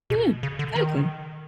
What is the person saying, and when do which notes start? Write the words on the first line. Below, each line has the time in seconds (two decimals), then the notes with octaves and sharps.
Yeah, exactly.
0.10 B2
0.43 C#3
0.59 D3
0.76 D#3